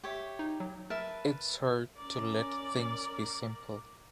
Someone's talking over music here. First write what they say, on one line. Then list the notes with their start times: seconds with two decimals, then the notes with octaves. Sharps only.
It’s hard to let things be simple.
0.04 G4 C#5 E5
0.39 D#4
0.60 F#3
0.90 A#4 B4 E5 A5
1.97 C#4 A#4 D5